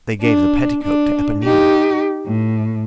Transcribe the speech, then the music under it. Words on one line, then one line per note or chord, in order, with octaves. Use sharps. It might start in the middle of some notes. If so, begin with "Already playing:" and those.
They gave the petticoat to Eponine.
D4
D4
D#4 G4
A2